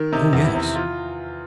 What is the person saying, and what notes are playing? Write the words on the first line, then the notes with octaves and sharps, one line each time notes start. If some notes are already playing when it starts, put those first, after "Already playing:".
"Oh, yes!"
Already playing: D#3
C3 D#4
E2
E4
C3
F4